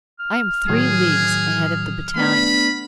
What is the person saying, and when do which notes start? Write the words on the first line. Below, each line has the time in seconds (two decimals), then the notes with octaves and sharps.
"I am three leagues ahead of the battalion."
0.19 F6
0.69 A2 D#3 F#3 G#4
2.16 A3 B3 D4 B5